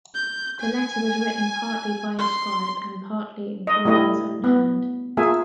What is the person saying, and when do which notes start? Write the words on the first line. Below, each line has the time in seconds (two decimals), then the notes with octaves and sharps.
The letter was written partly by a scribe and partly in Claudia's own hand.
0.15 G6
0.60 G#5
2.19 C6
3.67 D#5
3.85 G3 A3 E4 D#5
4.44 B3
5.17 A#3 F4 G#4 E5 G#5